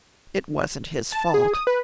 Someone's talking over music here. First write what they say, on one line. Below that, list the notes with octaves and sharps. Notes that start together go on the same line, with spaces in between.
It wasn't his fault.
A5
G#4
D#6
B4